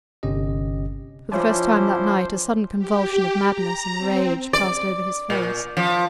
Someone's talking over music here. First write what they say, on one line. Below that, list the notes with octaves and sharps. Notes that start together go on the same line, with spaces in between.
For the first time that night a sudden convulsion of madness and rage passed over his face.
G1 C3 C#4 G4 D#5
F3 C#4 D4 E4 F4 C5 C#5 D6
G4
A#5
C4
D5
A#2
F3